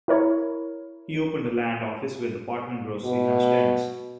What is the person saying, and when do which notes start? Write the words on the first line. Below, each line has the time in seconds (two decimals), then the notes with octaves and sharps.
He opened a land office where the Potwin grocery now stands.
0.08 E4 A#4 C#5
3.05 B2